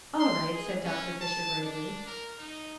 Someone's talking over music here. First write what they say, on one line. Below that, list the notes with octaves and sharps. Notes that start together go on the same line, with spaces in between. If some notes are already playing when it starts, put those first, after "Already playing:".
"All right," said Dr. Fisher bravely.
C6
G#4
C#4
A5
D4
A#4
D#4